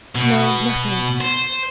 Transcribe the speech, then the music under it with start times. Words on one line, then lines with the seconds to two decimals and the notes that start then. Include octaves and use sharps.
'No, nothing.
0.15 B2
1.21 C5